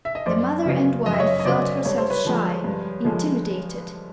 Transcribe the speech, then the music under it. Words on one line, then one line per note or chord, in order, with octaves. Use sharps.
The mother and wife felt herself shy, intimidated.
E5
D#5
F#2 C5 D5
C#3 F#3 B3
F#2 D#5
E5
C#5 D#5
D#5
C#3 F#3 B3 C5 D5
G2 C#5
C5
B4 C#5
D3 F3 G#3
G2
D3 F3 G#3